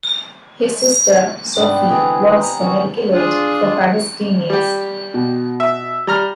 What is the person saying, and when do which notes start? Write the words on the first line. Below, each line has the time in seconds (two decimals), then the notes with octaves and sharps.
His sister, Sophie, works for Medical Aid for Palestinians.
1.56 G#2 C3 G3 B3 D4
1.89 D3 E3 G#3 G#4
2.41 A#5
2.61 E3 C#4 F#4 A#4
3.13 D4 F4 G#4
4.50 G3 G4
5.14 B2
5.60 E5
6.07 G3 A#5 F6